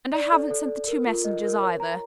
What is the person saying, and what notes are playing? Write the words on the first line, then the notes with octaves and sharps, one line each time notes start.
And I haven't sent the two Messengers, either.
D5
A4
A4
A4
A#4
F4
D#5
A#4
C#5
A#5